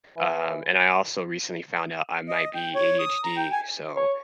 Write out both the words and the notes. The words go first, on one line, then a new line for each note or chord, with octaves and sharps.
um and I also recently found out I might be ADHD, so,
E3
D#5
G5
C#5
D#6
A#5
G5
G#5
C#5